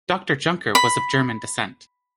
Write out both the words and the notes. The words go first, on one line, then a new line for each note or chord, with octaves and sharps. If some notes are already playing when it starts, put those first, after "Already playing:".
Doctor Junker was of German descent.
B5